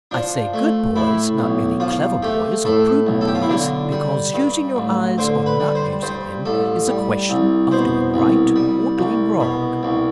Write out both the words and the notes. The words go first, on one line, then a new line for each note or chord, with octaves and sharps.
I say "good boys;" not merely clever boys, or prudent boys: because using your eyes, or not using them, is a question of doing Right or doing Wrong.
F3 D4
A3
A2 E4
B1
F3 F4
A3 G4
A2 A4
B1
A4
G4
F4
E4
D3 D4
G3
G2
A1
D3 C5
B4
G3
C5
G2 C5
A1 A4
G3
C2
B2 C5
C2
G3
C2
B2
C2